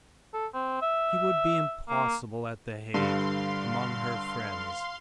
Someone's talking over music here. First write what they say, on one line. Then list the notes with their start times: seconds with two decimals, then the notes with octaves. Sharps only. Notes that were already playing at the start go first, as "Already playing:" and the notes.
He would be impossible at the Hague, among her friends.
0.34 A4
0.54 C4
0.82 E5
1.89 A#3
2.94 G2 D3 G3 F5 C6